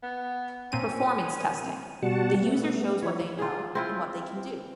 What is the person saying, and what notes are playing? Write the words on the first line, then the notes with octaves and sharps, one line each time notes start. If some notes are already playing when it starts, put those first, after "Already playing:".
Performance testing - The user shows what they know and what they can do.
B3
A#2 C4 C#4 D#7
B2 G3 F#4 F#5 A5
A3 B3
E3 F3 E4 C#5
F4 G#4
C4 E4 F4